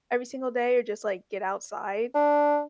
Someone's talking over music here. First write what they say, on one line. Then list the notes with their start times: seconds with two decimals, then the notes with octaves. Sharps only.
every single day or just, like, get outside
2.15 D4